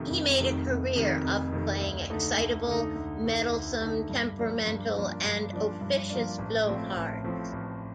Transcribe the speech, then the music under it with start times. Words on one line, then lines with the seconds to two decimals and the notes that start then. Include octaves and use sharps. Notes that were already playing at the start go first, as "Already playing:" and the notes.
He made a career of playing excitable, meddlesome, temperamental, and officious blowhards.
Already playing: F1 F2 C3 D#3 A3
0.10 F1
0.38 F2 C3 D#3 A3
0.67 F1
0.95 F2 C3 D#3 A3
1.24 F1
1.52 F2 C3 D#3 A3
1.81 D2
2.10 D3 A3 D#4
2.38 D2
2.67 D3 A3 D#4
2.95 D2
3.24 D3 A3 D#4
3.52 D2
3.81 D3 A3 D#4
4.09 G2
4.38 F3 A#3 D4
4.67 G2
4.96 F3 A#3 D4
5.24 G2
5.53 F3 A#3 D4
5.81 G2
6.10 F3 A#3 D4
6.38 A1
6.67 A2 F3 C4
6.95 A1
7.24 A2 F3 C4
7.53 A1